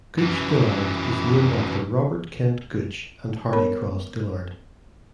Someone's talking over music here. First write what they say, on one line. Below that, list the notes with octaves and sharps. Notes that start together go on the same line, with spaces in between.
Gooch Dillard is named after Robert Kent Gooch and Hardy Cross Dillard.
F#2 E3
B3 A#4 C#5 B5